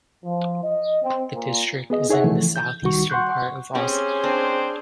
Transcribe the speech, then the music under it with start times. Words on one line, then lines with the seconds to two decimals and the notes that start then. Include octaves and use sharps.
The district is in the southeastern part of Oslo.
0.24 F3
0.63 D#5
1.03 C4
1.35 A#2
1.90 B3 G#4 D#5
2.09 D#4 G#4 C#5 E5 F#5
2.24 C#3 E3 F3 A3
2.56 G6
2.82 C2 D#3 G3 F#4 C#6
3.10 F#5 C6 C#6 F#6 G6
3.75 C4 C#4 G4 G#4 C5
4.24 C4 D4